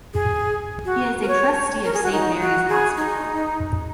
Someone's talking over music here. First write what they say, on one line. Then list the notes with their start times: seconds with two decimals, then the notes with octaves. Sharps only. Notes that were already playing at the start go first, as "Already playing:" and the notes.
He is a Trustee of Saint Mary's Hospital.
0.14 G#4
0.85 F#4
1.22 A#4
1.28 C#5
1.84 A#4
1.94 G#4
2.03 F#4
2.12 D#4
2.41 F#4
2.69 G#4
2.97 D#4